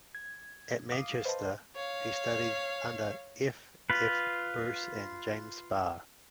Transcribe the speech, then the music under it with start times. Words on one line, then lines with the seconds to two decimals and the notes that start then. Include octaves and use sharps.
At Manchester he studied under F. F. Bruce and James Barr.
0.15 G#6
0.92 F5 D6 D#6
1.25 B4 C5 D#5 A5
1.76 C#5 F5
3.90 F4 B4